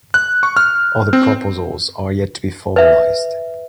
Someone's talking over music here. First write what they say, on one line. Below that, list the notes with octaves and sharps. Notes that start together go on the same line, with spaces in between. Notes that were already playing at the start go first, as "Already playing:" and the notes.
Other proposals are yet to be formalised.
F#6
C#6
F6
C4
B4 E5